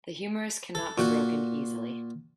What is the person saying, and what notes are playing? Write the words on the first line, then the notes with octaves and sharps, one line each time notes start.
The humerus cannot be broken easily.
A4
A#2 F#4 F#5